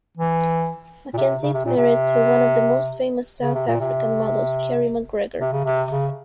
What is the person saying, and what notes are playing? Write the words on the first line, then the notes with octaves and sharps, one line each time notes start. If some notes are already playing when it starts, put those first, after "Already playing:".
McKenzie is married to one of the most famous South African models, Kerry McGregor.
E3
A#2
C3
C#3
C3
A#2
C3
C#3
C3
A#2
C3
C3
C#3
C3
C#3